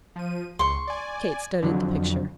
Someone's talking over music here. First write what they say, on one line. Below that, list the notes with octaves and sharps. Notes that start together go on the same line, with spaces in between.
Kate studied the picture.
F3 D#7
C#2 C6 C#6
D5 G#5
F2 D3 F#3